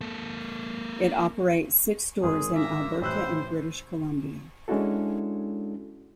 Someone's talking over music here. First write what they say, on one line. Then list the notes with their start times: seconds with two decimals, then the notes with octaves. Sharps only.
It operates six stores in Alberta and British Columbia.
0.01 A#3 A4
2.23 G#1 G#4
2.55 A#3 E5 A#6
3.02 A1 E4 C5 E6 F#6
4.68 G#3 C#4 D4 E4 F#4 A4